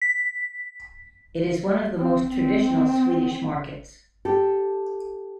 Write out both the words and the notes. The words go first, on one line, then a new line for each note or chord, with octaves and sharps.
It is one of the most traditional Swedish markets.
B6
C4
C4
G4 A4